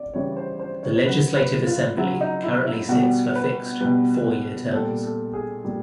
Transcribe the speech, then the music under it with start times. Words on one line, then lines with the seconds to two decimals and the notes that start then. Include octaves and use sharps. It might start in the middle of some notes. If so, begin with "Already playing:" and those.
The Legislative Assembly currently sits for fixed four-year terms.
Already playing: D5
0.14 C#3 E3 G3 C#5
0.36 C5
0.59 C5
0.83 C#5
1.06 C#3 F#3 B4
1.36 B4
1.67 F4
1.97 C#3 F#3 E4
2.21 D#4
2.43 E4
2.66 E4
2.88 B2 G3 F#4
3.35 B4
3.80 B2 G3 B4
4.72 A#2 G3 A4
5.03 A4
5.33 G#4
5.65 A#2 G3